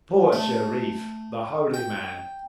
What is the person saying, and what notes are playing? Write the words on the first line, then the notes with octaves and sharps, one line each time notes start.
Poor Shereef!—the holy man!
A3
G5